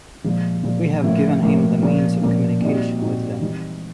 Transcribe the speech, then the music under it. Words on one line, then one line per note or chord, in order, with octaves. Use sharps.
We have given him the 'means of communication' with Them.
A#2 F3 G#3
A#2 F3 G#3
A2 F3 A#3 C#4 E4
A2 F3 A#3 C#4 E4
A#2 F3 A#3 C#4
A#2 F3 A#3 C#4
A#2 G3 C4 D#4 F#4
A#2 G3 C4 D#4 F#4
E3 G3 C4 D#4